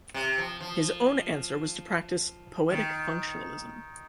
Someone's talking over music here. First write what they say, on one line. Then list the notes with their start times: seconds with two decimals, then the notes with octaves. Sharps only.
His own answer was to practice 'poetic functionalism'.
0.14 C3
0.38 F3
0.61 F3
2.70 D#3